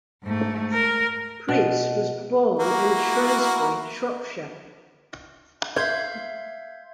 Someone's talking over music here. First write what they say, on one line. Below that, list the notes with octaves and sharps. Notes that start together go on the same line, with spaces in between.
Preece was born in Shrewsbury, Shropshire.
G#2 A3
A#4
B2
A#3 E4 F#4
E5 F5 C6 G6 G#6